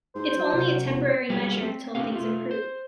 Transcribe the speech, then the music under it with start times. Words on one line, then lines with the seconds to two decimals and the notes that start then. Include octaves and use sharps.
It's only a temporary measure until things improve.
0.15 G#2 C5
0.37 F#3
0.53 C3 F#4 A#4
0.83 E1
1.30 F#3 G3 A#3 G4 G#4 B4
1.61 C4
1.95 A3 C4 D4 G4 B4 F5
2.12 A3 F4
2.51 C5